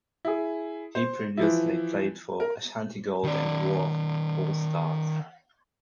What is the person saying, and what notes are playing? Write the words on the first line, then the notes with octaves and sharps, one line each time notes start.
He previously played for Ashanti Gold and Wa All stars.
E4 G#4
C5
E3 F3 E4
A#4
D#3 D5